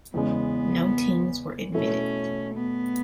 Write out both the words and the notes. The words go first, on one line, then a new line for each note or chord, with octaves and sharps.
No teams were admitted.
E2 C#3 G#3 B3
B2 A3 C#4 E4 A4 C#5
B3